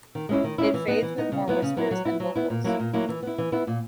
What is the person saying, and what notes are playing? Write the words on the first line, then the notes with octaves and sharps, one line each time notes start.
It fades with more whispers and vocals.
D#3
G#3 C#4 E4
D#3
G#3 C#4 E4
E3
B3 D#4
E3
B3 D#4
C#3
F#3 B3 E4
C#3
F#3 B3 E4
F#3
B3 E4
F#3
B3 E4
A#2
F#3 A#3 E4
A#2
F#3 A#3 E4
E3
B3 E4
E3
B3 E4
A#2